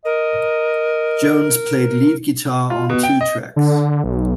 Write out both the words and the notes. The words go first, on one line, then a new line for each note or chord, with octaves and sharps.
Jones played lead guitar on two tracks.
A#4 D#5
F4
B2
G5
D#5
D3
B1